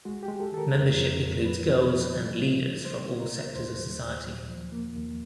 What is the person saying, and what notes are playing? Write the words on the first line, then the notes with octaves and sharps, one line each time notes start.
Membership includes girls and leaders from all sectors of society.
G#3 F#4
G4
G#3
A4
D#3 A4
A#4
F2
F2
F2
F3 B4
F3
F3
G3
C2
C2
A3 C5
F#3
A#4
A3
D#2 C5
F#3
D#2
A#2
F3
A#3
D#2